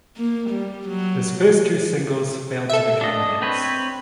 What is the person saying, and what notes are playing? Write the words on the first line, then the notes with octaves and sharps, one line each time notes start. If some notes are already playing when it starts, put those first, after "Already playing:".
His first two singles failed to become hits.
A#3
G3
F#3
A4 E5
D4 D#5
C4 B4 C#5